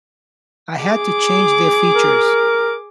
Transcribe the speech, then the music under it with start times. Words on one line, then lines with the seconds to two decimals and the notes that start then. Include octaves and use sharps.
I had to change their features.
0.84 G#4 D6
1.95 A#4